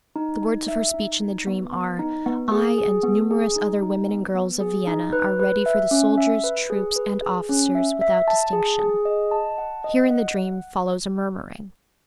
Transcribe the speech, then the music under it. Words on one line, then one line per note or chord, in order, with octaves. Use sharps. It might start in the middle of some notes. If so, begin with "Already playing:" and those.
The words of her speech in the dream are, 'I and numerous other women and girls of Vienna are ready for the soldiers, troops, and officers, without distinction....' Here in the dream follows a murmuring.
D#4
D#4
E5
D#4
D#4
B3
B3
D#4
B3
G#4
G#4
B3
G#4
D#4
D#4
B3
B3
G#4
D#4
B4
B4
E5
C#4
E5
B4
G#4
B4
G#4
C#4
E5
E5
A5
G#4
G#4
D#5
A5
F#5
D#5
F#5